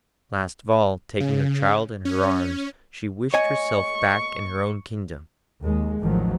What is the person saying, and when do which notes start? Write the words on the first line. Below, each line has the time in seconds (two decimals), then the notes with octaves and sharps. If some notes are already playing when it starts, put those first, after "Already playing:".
Last of all, taking her child in her arms, she wished herself back in her own kingdom.
1.20 C#3
2.05 C#4
3.34 C#5 D#5 G#5 C#6
5.60 D#2 G#3
6.01 A1 E2 A2 D#3 F3 F#3